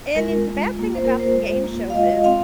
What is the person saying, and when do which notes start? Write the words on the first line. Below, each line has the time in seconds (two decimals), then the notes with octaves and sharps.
and and the bad thing about the game shows is,
0.15 G#3 F4 A#4
0.45 G#3 F4
0.75 A#3 F4
0.95 C5
1.05 A#3 A#4
1.08 F4
1.20 C5
1.34 G#3 F4
1.64 A#3 F4
1.90 F5
1.94 G#3 F4 D#5
2.10 D#5
2.24 G#3 C4 F4 F5